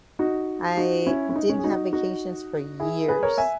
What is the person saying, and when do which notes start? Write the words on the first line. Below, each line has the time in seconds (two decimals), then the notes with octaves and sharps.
I didn't have vacations for years,
0.19 D#4 F#4
0.77 D#4 F#4
1.06 C#4 E4
1.30 C#4
1.36 D#4
1.49 C#4
1.59 G#4
1.64 D#4 F#4
1.93 D#4 F#4
2.80 E4 G#4
3.08 G#4 B4
3.23 A#4 C#5
3.38 E5 G#5